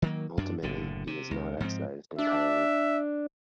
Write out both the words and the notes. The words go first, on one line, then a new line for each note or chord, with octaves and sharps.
Ultimately, he is not excised entirely.
D#3 F#3 A#3
F#2 D4
F#1 A2 D3
C3
C#2
G#2 F3 F#3 C4
D4 E5